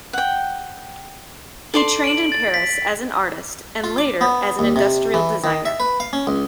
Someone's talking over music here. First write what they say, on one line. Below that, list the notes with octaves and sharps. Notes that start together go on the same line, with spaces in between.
He trained in Paris as an artist and later as an industrial designer.
F#5 G5
A4 D5 C6
D7 F#7
A6
B6
F4
D6
B3
D#2
C3
E3
D#3
E5
B4
F5
C#4
C#2